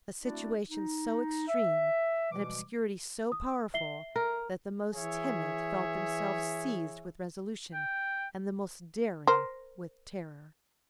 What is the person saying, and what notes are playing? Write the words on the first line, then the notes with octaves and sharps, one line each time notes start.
A situation so extreme, an obscurity so powerful, that the most timid felt themselves seized with resolution, and the most daring with terror.
A3 C4 D4 E4 F#4 D5
D#4
E5
B2 E3 F3 G3 G#3 D6
D#6
E5 C7 G7
A#4
E3 G#4 C#5 E5
G5
A#4 C5